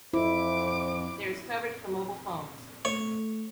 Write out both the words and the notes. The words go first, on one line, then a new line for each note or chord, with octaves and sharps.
There is coverage for mobile phones.
F2 E4 C5 D6
A3 C#5